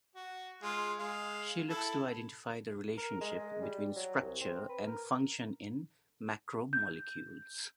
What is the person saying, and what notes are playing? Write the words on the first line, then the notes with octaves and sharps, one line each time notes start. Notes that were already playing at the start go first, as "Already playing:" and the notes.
She looks to identify the relationship between structure and function in macromolecules.
F#4
G#3 F4
G#3 F5
E4 A4
A#4
G#3
G#3
G3
F#3
C2
C4
B4
A#4
G6